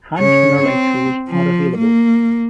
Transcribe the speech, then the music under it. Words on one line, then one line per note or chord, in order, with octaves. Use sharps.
Hand knurling tools are available.
C#3 C#5
C4
F3
A#3